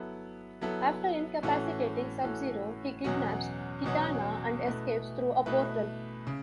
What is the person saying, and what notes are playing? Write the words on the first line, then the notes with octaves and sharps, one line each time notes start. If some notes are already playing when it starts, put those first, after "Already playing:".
After incapacitating Sub-Zero, he kidnaps Kitana and escapes through a portal.
Already playing: F#3 B3 E4 A4
F#3 B3 E4 A4
A2 E3 C#4 F#4 A4
A2 E3 C#4 F#4 A4
E2 B2 F#3 C#4 F#4
E2 B2 F#3 C#4 F#4
B2 A3 E4 B4
B2 A3 E4 B4
C#3